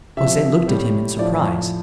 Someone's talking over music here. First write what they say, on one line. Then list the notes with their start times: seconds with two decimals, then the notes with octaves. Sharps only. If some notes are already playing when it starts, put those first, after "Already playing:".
Jose looked at him in surprise.
0.17 C3 F3 E5
0.68 A2 G3
1.18 A2 F3 D5